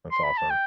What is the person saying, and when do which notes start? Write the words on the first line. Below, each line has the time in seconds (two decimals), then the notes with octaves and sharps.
that's awesome.
0.12 C6
0.23 B5
0.38 A5
0.50 G5